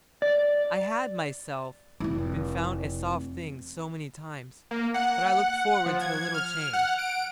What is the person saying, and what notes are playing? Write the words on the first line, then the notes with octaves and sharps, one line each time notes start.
I had, myself, been found a "soft thing" so many times, that I looked forward to a little change.
D5
F1 E4
A#3
F#5
F3
G#6
F6
F#5
D7